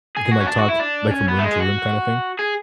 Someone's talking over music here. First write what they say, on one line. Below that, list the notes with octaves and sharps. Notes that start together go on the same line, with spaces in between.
You can, like, talk, like, from room to room kinda thing?
G#4
F#4
C#4
D4
F#4
E4
D4
C#4
B3
A3
G#3
G#4
F#4
G#4